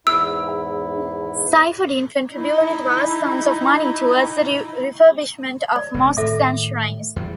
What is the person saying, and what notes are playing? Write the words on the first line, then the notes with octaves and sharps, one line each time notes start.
Saifuddin contributed vast sums of money to towards the refurbishment of mosques and shrines.
E2 G#2 E4 E6
D#4 E4
D5
F1 G#3 C4
A2 D#3 A4 E5 D6
E2 G3